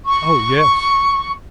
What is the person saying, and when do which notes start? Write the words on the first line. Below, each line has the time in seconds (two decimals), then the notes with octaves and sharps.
"Oh yes!"
0.06 C#6